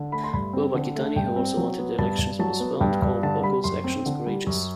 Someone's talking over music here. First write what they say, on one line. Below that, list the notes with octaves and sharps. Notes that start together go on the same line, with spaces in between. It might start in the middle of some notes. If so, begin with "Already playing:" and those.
Bob-Akitani, who also wanted the elections postponed, called Boko's action "courageous".
Already playing: D3
A3 B5
C6
G2 B5
C4
D3
A3
G2 G5
C4
F#3
B3
G2 A5
G2
F#3 A5
B3
G2 G5
G2
D3 A5
G3 B5
F#2 C6
C4
D3
G3
F#2